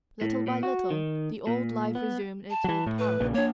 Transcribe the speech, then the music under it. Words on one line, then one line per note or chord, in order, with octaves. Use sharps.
Little by little the old life resumed its old power.
A2
A#2
F#4
D#3
A#2
B3
A5
E3 F#3
A2
B4
A#1 A#2 C#3
A#3 D4 C#5